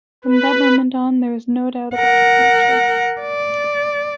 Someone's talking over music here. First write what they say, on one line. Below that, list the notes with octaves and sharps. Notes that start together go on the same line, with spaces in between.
From that moment on, there was no doubt about her future.
B4
A#4 F#5
D5